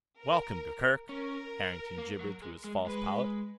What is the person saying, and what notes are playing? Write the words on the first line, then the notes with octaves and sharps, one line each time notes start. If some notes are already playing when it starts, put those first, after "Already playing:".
"Welcome, Gurgurk," Harrington gibbered through his false palate.
A#4
C#4 A#4
A#3
F#3
G#3
G#3
G#3 B4